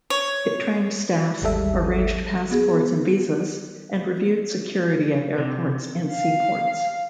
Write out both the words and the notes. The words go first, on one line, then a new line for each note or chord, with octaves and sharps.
It trained staff, arranged passports and visas, and reviewed security at airports and seaports.
C#5
G#1 D#2 G3 G#3 A4 E5
B3 F#4 G#4
C3
F5